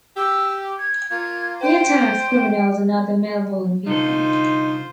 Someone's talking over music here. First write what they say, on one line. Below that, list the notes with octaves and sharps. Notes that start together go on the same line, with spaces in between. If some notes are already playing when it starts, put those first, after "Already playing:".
He attacks criminals and other malevolent people.
G4 E6
G#6
A#3 F4 G#6
C5 G5
C2 D3 D#4 F4 A4 C5